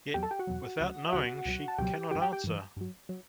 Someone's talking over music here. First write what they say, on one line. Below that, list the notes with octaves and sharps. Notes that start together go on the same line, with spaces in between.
Yet without knowing she cannot answer.
E2 B2 F#3 G4 G5
A4 A5
G4 G5
F#4 F#5
E2 B2 F#3
D2 C#3 F#3
E5
D2 C#3 F#3 F#4 F#5
C#2 B2 F#3
A5
C#2 B2 F#3 G4 G5
G2 E3 G4 G5
G4 G5
G4 G5
G2 E3
G2 F#3
F#3